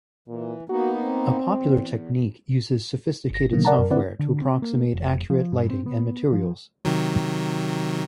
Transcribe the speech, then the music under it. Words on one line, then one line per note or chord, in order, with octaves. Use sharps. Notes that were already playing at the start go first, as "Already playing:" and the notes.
A popular technique uses sophisticated software to approximate accurate lighting and materials.
A#2 E3
A#3 B3 D#4 F#4
C4
E2
G1 A#6
B2 D3 D#3 F#3 A#3
A#4 D5 F#5 A5 A#5
F#2 A#4
D3 C4 E4 B4 D5 F#5
D3
C4
A#3
F1
F3
G2
C4
B3
F3
C3 D#3 F#3